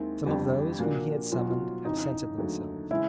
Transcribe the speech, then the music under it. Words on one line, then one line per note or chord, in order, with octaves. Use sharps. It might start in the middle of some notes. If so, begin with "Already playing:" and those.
Some of those whom he had summoned absented themselves.
Already playing: D#2 D#3 G#3 C4 E4
G1 F2 D3 G3 G4
A#2 F3 A#3 D4 F#4
B1 B2 F#3 F4
F#4
F4
F2 C#3 E3 D#4
D#2 D3 F#3 A3
C#3 E3 G#3 E4